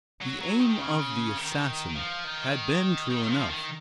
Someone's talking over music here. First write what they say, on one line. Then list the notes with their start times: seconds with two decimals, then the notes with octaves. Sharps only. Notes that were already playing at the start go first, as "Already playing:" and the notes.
The aim of the assassin had been true enough.
0.21 F#3
0.41 F#3
0.59 D#3
0.79 C#3
1.37 D#3
1.95 F3
2.24 D#3
3.11 D#3
3.30 F3
3.49 D#3